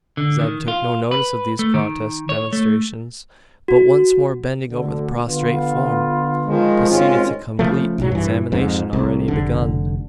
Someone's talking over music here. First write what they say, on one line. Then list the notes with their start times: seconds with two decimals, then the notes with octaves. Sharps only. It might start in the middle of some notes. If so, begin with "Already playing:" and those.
Zeb took no notice of these grotesque demonstrations; but, once more bending over the prostrate form, proceeded to complete the examination already begun.
0.17 D3
0.39 D#3
0.68 F4
1.11 B4
1.59 A3
1.74 D#3
2.29 C#5
2.53 A3
3.68 F#4
4.71 D2 D3
5.28 D3 B3 F4
6.45 D#3 F3 G#3
6.89 G#1 G#3 C4 C#4 F4
7.59 C#3 F3 A3
7.98 B1 F#3
8.12 G2 E3
8.52 F2 G#2
8.93 C2
9.28 F1 D3